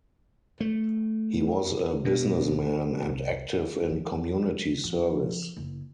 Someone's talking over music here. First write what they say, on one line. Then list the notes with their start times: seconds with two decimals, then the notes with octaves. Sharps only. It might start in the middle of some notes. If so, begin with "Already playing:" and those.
He was a businessman and active in community service.
0.60 A3
2.05 B2
3.09 C2
3.90 F3
4.84 F3
5.57 F#1 E4